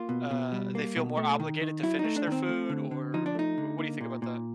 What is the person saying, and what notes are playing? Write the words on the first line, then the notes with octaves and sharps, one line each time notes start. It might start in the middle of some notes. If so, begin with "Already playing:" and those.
uh, they feel more obligated to finish their food or wh what do you think about that?
Already playing: A#3 F4
B2
B2
G3
A#3
B2
A3
D#3
D#3
F#3 E4
D#4
A3
D4
D#3 C4
A3
D3
D3
F3 D#4
D4
A3 D#4
D3
A#3
A#2
A#2